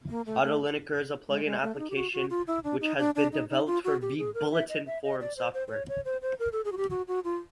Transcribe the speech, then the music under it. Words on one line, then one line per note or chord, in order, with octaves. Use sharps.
AutoLinker is a plugin application which has been developed for vBulletin forum software.
A#3
A3
A3
G#3
G#3
A3
D4
D#4
G4
F#4
F#4
F4
E4
D4
D#4
D4
D4
D#4
D#4
F4
F#4
G4
G#4
A#4
E5
D#5
E5
D#5
D5
C5
C5
C5
C#5
C#5
C5
C5
A#4
A4
G#4
F#4
G4
F#4
F#4
F4